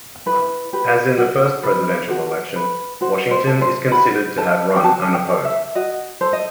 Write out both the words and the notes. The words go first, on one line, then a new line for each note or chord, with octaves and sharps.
As in the first presidential election, Washington is considered to have run unopposed.
E4 B4
G4 B4
F#4
B4
F#4
B4
F#4 C5
C5
A4
C5
F#4 B5
A4 A5
G5
F#4 A5
G5
A4
E5
F#4 D#5
A4 C5
D#5